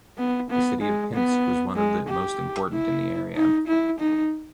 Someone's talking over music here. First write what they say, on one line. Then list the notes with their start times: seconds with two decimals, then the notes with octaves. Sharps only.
The city of Pinsk is one of the most important in the area.
0.17 B3
0.50 B3
0.81 G#3
1.14 B3
1.76 G#3
2.08 G4
2.72 E4
3.35 D#4
3.67 E4
3.99 D#4